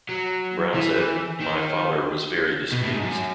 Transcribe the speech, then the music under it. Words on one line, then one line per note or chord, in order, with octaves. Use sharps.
Brown said, My father was very displeased.
F#3
E3
D#3
B2
A2
G#2
F#2